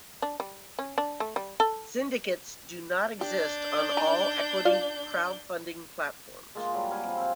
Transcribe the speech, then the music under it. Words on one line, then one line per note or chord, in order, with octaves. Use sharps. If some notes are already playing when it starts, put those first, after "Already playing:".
Syndicates do not exist on all equity crowdfunding platforms.
D4
G3
C#4
D4
A3
G3
A4
D4 G4 G6
D#3 G#5 A#5
F4 D5 F5
G#3 A#3 F4
F#3 G3
G3 F5 G#5 B5
C3 F3
C4 F5